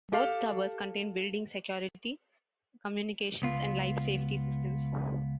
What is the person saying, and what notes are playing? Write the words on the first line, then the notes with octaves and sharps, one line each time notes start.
Both towers contain building security, communications, and life-safety systems.
G4 A4 F5
C#2 B3 F4